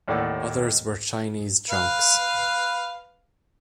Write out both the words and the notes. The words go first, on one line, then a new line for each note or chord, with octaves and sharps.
Others were Chinese junks.
D#2 A2 A4 D5 F#5
B4 F5